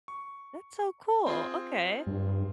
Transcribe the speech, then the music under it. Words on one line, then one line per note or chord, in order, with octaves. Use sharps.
That's so cool, okay.
C#6
C4 F4 G#4
G2